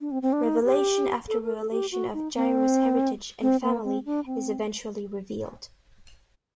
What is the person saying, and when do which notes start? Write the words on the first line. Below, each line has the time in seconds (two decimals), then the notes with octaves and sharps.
Revelation after revelation of Jiro's heritage and family is eventually revealed.
0.01 D4
0.11 C4
0.22 C4
0.33 D4
0.43 D#4
0.64 G4
1.28 A4
1.43 A#4
1.57 A4
1.71 G4
1.92 F#4
2.13 D#4
2.35 C4
3.41 C4
3.63 A#3
3.84 C4
4.05 D4
4.26 C4